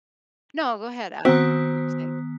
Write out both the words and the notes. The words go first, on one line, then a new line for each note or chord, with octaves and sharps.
No go ahead, ask me what you're saying.
D#3 B3 C4 F#4